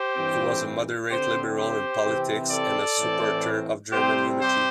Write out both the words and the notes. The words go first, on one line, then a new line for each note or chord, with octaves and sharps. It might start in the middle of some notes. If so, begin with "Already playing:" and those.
He was a moderate liberal in politics and a supporter of German unity.
Already playing: G4 C5
G2 E3 C4
D3 C4 G4 C5
G4 C5
C3 E3 C4
A4 D5
A2 E3 C4
C3 G3 C4 G4 C5
G4 C5